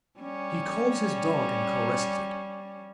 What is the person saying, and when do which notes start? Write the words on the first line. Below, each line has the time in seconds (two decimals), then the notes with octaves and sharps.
He calls his dog and caresses it.
0.20 G3 C#4